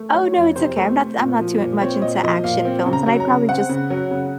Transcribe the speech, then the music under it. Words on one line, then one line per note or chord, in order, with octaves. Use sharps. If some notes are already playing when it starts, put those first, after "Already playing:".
Oh, no, it's okay. I'm not I'm not too much into action films, and I'd probably just
Already playing: A3
F#3 C#5
F2
C3 C5
A3
C4
A#2
F3
A#2
C4 C#5
A#2 D#5
F3 D#5
A#2 F5
C4
C#3
A#5
F#3
A#5
C#3
C4 F#5
C#3
F#3
C#3